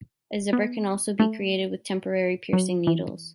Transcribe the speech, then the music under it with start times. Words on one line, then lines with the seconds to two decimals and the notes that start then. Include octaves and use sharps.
A zipper can also be created with temporary piercing needles.
0.53 B3
1.20 A3
2.53 F#3
2.87 E3